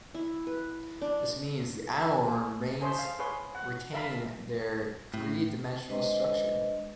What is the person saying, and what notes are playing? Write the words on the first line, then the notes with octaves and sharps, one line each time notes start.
This means the animal remains retain their three-dimensional structure.
E4
B4
D4
G#4
G#4 A4 C5 C#5 E5 C6
F5
G#4 B4 C#5 C6
F#5
A#4 E5 F5 A5 B5
A2
G#3 D4 B4 C5 D#5